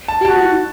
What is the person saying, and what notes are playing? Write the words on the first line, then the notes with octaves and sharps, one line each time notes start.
He need
A5
F#4 A5